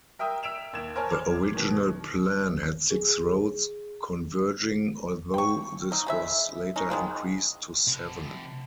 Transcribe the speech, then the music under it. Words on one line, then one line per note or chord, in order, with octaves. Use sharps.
The original plan had six roads converging, although this was later increased to seven.
A#4 E5 G5 D#6 E6
E6 B6 D7 E7 F7
D#2 G#6 E7
A#4 C5 C#5 G#5 A5 F6
C6 D6 F6 G#6
B2 D#3
G#4
G5 C#6
D#4
G#3 B4 E5
C#4 D#4
D#3 G#3 A#3
C3 A5